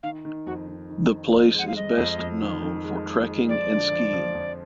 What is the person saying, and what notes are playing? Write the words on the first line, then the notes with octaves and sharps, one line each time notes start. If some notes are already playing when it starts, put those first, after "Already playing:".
The place is best known for trekking and skiing.
D#3 F5
D#3
F2 F#4
D#3
D#3
D#3
F2
G#3 F#5
F5
G#3 D#5
F2
F2
D#3
D#3
G#3
G#3
G#3
F3 D5
D3
F3
F3
F2